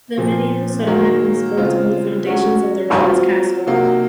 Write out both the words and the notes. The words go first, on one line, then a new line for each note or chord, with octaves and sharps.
The medieval settlement was built on the foundations of the Roman castle.
A#2 F3 C4
D#3 F#3 A#3
C#3 G#3 C4 F4
F#3 C#4 F#4
F#3 C4 F4
C3 F#3 A#3 D#4 F#4